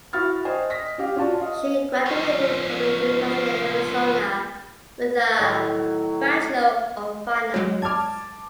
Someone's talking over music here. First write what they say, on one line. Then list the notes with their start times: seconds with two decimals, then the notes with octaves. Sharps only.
She graduated from the University of Arizona with a Bachelor of Fine Arts.
0.13 E4 F#4 B5 F6 A6
0.45 C5 D#5 G5 G#5
0.70 D#5 A#6 B6
0.98 C#4 G4 F5
1.16 C#4 F4 F#4 D5 A5
1.38 D#5 F5
2.06 F3 C#4
5.38 A2 D#3 F#3
7.54 F#3 G#3
7.82 A5 D6 F6 G#6